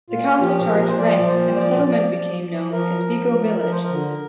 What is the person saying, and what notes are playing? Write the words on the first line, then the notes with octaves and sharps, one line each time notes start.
The council charged rent and the settlement became known as Vigo Village.
A#2 F4
F3 G4
A#2 A#4
A#4
C5
F3 D5
A#2 C5
F3 D5
F3 D5
F3
F3
F3 A#4
F3
F3
F3 A#4
C5
A#4
D3